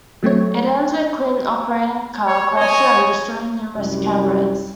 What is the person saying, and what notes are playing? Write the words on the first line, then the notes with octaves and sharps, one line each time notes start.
It ends with Quint operating a car crusher and destroying numerous cameras.
F#3 A3 C4 C#5
C#5
C#5 D#5 G#5
C2 F#2 G3